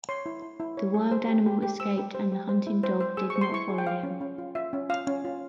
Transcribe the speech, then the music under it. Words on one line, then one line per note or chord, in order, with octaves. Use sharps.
The wild animal escaped and the hunting dog did not follow him.
C#5 C6
E4
E4
E4
C#5
G#4
C5
G4
G4
G4
C5 E6
G4
C5
G4
C5
E4
C5
C5
G#4 E6
C#6
C5
C6
E4 C#6
G#4
G5
F4 F5
C#4
C#4
F4
F4 E5
C#4
F4 F5
C#4
F4